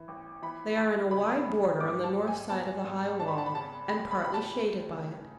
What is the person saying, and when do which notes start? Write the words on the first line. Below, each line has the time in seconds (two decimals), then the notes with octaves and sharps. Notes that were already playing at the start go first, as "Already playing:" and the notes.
They are in a wide border on the north side of the high wall and partly shaded by it.
Already playing: E3
0.08 A1
0.42 E3 B5
0.77 D2
1.11 C#3 B5
1.47 E1
1.80 G#2 D6
2.04 A5
2.15 F#3
2.28 G#5
2.50 B3 A5
2.84 G#2
3.19 D4 A5
3.28 B5
3.38 A5
3.46 B5
3.54 C#3 A5
3.88 G#3 B5
4.11 B5
4.23 C#2 B5
4.34 A5
4.58 A3
4.92 C#3